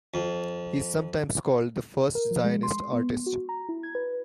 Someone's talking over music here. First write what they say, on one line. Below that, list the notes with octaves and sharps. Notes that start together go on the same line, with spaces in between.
He is sometimes called the first Zionist artist.
F2
A#4
F3
G#3
C6
B3
F#4
A#5
E4
G#6
B4